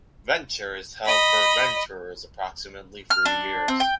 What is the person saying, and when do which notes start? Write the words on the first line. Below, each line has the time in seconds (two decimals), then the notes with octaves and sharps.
Venture is held for Venturers approximately three years.
1.05 D#5 B5
3.10 F6
3.25 D4
3.68 C4
3.80 G5